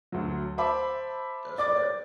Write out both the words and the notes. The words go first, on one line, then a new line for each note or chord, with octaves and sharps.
That's right.
D2 F#3
C5 E5 A5 B5 D6
D5 D6 A6